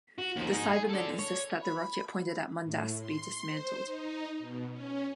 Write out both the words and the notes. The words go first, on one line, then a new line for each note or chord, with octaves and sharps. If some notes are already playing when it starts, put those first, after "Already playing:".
The Cybermen insist that the rocket pointed at Mondas be dismantled.
F#4
D#2 F3
D#4 G#4
G#4
A4 D5
C#5
B5
A2
C6
C5
D#4
B2
C#4